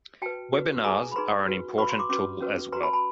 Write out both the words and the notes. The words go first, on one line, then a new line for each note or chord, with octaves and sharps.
Webinars are an important tool as well.
F#4 B4 G5 A5
F#4 B4
D#4 G#4 B4 G#5 A#5
B5
D#4 G#4 B4 A#5 C6
F#4 B4
F#4 B4 B5 C#6
A#5 C6
C6 D6
C#4 F#4 B4 C6 D6
C#4 F#4 B4
F#4 B4 A#5 C6
A5 B5
A5 B5